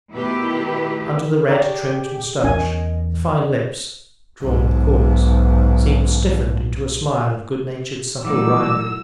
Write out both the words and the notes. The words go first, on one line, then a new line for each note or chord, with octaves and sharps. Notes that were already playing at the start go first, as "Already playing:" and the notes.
Under the red trimmed moustache the fine lips, drawn at the corners, seemed stiffened into a smile of good-natured subtle raillery.
B2 D#3 A3 E4 G4 B4
G4 G#4 C#5 D5 G5 A#5
E2 C#4 A#4 D#5 G#5
B1 G#2
E3 F#3 G3 A3 D#4 E4 D6 E6